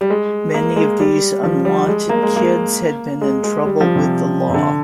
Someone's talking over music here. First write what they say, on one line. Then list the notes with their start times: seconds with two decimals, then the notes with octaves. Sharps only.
Many of these unwanted kids had been in trouble with the law.
0.01 G3
0.10 G#3
0.54 A#3
0.76 G#3
1.00 G3
1.43 F3
1.65 G3
1.88 G#3
2.09 A#3
2.23 G#3
2.36 A#3
3.21 G#3
3.44 G#3
3.66 G3
3.81 F3
3.95 C3
4.50 C3
4.54 D3